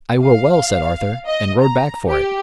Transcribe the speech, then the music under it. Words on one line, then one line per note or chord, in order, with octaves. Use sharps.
"I will well," said Arthur, and rode back for it.
F5
D#5
A#5
G4